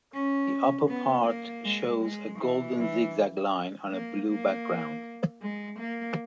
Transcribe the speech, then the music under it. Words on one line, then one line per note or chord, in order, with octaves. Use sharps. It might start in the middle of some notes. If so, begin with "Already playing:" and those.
The upper part shows a golden zigzag line on a blue background.
C#4
B3
A#3
G#3
G#3
E3
E3
A#3
A#3
G#3
A#3